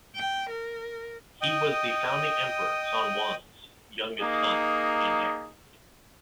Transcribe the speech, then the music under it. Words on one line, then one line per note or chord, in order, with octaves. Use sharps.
He was the founding emperor Sun Quan's youngest son and heir.
G5
A#4
D#5 G5 D#6
A#3 D#4 G#4